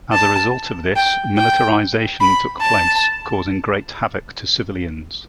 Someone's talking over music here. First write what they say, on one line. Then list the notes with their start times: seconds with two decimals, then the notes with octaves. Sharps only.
As a result of this, militarisation took place, causing great havoc to civilians.
0.13 A5
0.96 G5
1.38 G5
2.21 B5
2.61 A5